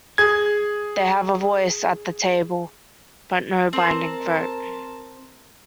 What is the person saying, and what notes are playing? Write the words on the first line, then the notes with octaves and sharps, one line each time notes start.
They have a voice at the table but no binding vote.
G#4 G#6
C4 A#4 A5